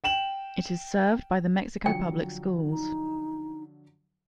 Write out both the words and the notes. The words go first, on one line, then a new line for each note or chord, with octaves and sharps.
It is served by the Mexico Public Schools.
G5 E7 F#7
D3 F3 F#3 G5
D#4